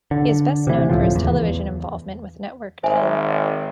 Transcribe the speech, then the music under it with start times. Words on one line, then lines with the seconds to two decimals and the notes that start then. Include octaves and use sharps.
He is best known for his television involvement with Network Ten.
0.11 D3
0.67 C3 E3
0.90 C#2 A2 F3
1.16 E2
2.83 G#1 C5 E5 G#5